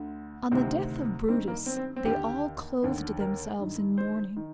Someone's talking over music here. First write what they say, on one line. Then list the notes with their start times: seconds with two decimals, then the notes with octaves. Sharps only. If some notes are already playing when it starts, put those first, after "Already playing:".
On the death of Brutus, they all clothed themselves in mourning.
Already playing: D2 D3
0.52 D2 C3 D#3 C4
1.28 G2 D#3 C4
1.48 A#3
1.66 C4
1.77 C4
1.96 C4
2.05 D#2 D3 G4
2.83 D#2 D3
3.20 A#4
3.59 G2 D#3
3.98 C5
4.37 D#3